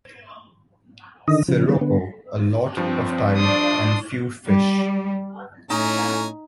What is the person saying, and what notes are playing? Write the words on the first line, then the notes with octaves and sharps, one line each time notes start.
Sirocco, a lot of tide and few fish.
D3 D#3 D#5
C#3 F3
D#3 G3 B3
D3 B3
G2 F3 C4
D4 D5 C6 D#6
G3
A2 A3 C#4 D#4 G#5 A#5